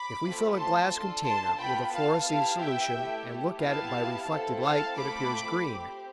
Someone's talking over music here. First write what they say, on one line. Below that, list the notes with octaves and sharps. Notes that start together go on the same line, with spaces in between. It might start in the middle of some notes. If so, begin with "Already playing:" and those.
If we fill a glass container with a fluorescein solution and look at it by reflected light it appears green.
Already playing: B5 D6
A3 C4 F4 A4
A5 C6
D4 F4 A4
A5 C6
B3 F4 A4 G5 B5
F5 A5
B3 E4 G4 F5 A5
E5 G5
A3 E4 G4
B3 E4 G4 F5 A5
C4 E4 A4
F5 A5
A3 C4 F4 A4 B5 D6
C4 G4